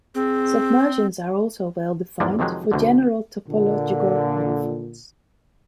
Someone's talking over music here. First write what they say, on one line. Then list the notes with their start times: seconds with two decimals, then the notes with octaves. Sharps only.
Submersions are also well defined for general topological manifolds.
0.15 C4 G#4
2.20 E2 G#2 G3 G#3 A#3 D5
2.39 F2 C3 D#3 F3 F#3 G#3
2.72 D2 B2 D3
3.49 A#2 D3